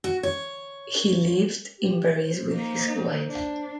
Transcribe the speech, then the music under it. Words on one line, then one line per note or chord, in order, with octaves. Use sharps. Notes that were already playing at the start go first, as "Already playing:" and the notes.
He lived in Paris with his wife.
F#4
C#5
G4
C5
A#3 D#4
D4